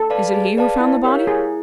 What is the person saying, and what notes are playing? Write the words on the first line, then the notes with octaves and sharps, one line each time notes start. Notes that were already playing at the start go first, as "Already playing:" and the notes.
'Is it he who found the body?'
Already playing: A4
B4 D5 F5 A5
G#4
B4 D5 F5 A5
E4
G4 A#4 C#5 F5
E4 G#4